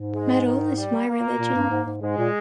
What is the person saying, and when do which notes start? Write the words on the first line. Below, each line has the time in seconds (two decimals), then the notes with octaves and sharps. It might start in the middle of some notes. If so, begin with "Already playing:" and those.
Metal is my religion.
Already playing: G#2
0.12 G#3
0.44 D#3
0.75 G3
1.07 A#3
1.39 A#2
1.54 G2
1.70 G#2
1.86 G#2
2.02 G#2 G#3
2.17 A#2